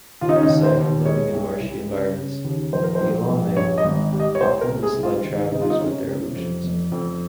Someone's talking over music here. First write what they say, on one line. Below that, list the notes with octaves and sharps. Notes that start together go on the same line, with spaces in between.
Aside from living in marshy environments, the Eleionomae often misled travelers with their illusions.
D#2 F4
D#4
C#4
D#4
D#2
C5
D#2
G#3 C#5
C2
C2
C#3
C#3
D#2
A#1 C5
A#4
C5
A#1
A#1
G2 C#5
D#5
G#1
G3
D#5
C#5
C2 C5
A#4
C3
G#4
C2
F4
D#3
C3 D#4
F4
D#4
C3 C#4
C3
F2
F1
F2